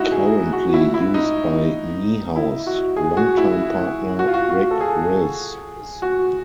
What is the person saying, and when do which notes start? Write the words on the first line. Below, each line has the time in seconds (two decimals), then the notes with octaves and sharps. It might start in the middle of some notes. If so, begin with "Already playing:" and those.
Currently used by Niehaus' longtime partner Rick Rizzs.
Already playing: D#4 E4 F#4
0.12 G#4
0.53 F#4
0.74 E4
0.94 E4
1.14 D#4
2.36 E4
2.67 F#4
2.97 G#4
3.17 F#4
3.37 E4
4.19 F#4
4.27 F4
4.34 F#4
4.50 F#4
4.71 A4
4.81 G#4
6.02 F#4